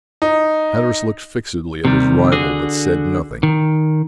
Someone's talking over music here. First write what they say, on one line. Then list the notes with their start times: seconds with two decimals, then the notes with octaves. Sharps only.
Hatteras looked fixedly at his rival, but said nothing.
0.22 D#4
1.85 C3 D#3 G3
2.32 D3 F#4 G#4
3.43 D#3